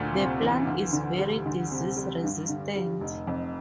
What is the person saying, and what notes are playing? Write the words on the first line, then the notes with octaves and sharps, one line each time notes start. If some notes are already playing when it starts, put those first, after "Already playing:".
The plant is very disease resistant.
Already playing: D2 A#2 A3
C3
E3
D2
D3
G3
D2
C3
G3
G2
D3
G3
F1
F2